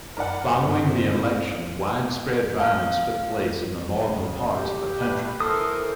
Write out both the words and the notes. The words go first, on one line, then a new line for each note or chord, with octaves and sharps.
Following the election widespread violence took place in the northern parts of the country.
F#2 D#4 A#4 D5 F#5 B5
G2 C4 E4 C5
F5
D2 C#3
G4
A3 B4
E3 A4 A#4 C5 D#6